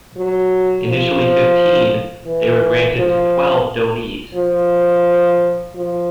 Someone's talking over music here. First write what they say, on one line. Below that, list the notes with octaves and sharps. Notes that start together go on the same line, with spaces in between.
Initially fifteen, they were granted to twelve donees.
F#3
F3
E3
F3
F3
F3